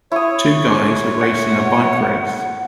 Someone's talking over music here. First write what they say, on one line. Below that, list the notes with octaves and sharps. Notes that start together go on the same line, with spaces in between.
Two guys are racing a bike race.
E4 C#5 D#6
F#5